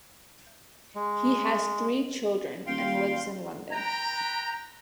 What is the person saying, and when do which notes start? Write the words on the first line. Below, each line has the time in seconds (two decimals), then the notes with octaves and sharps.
He has three children and lives in London.
0.95 G#3
2.67 D#1 F5 G5 C6
3.71 B4 G5 A#5